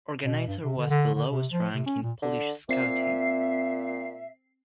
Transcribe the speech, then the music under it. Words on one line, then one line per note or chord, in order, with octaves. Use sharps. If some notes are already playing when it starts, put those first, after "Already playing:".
Organizer was the lowest rank in Polish scouting.
B2
G2
C3
D3
D3
D3
C3
F3
C3
C#4
A#2
D3
A#2 C4 E5 C7